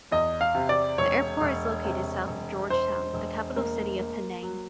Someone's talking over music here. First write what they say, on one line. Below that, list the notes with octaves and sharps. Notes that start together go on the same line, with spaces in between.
The airport is located south of George Town, the capital city of Penang.
E2 D#5
F5
C3
D5
E1 C#5
E1
C3
E1
E1 C5
E1
A#3
A#3
F#3